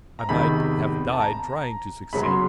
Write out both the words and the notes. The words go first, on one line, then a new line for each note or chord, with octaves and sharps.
I might have died trying to succeed.
A#5
E2 C3 D#3 B5
A5
A#5
E2 C#3 F#3 B5
C6